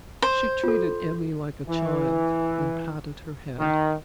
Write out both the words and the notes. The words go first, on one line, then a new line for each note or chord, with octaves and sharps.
She treated Emmy like a child and patted her head.
C5
F4 A4
E3
D#3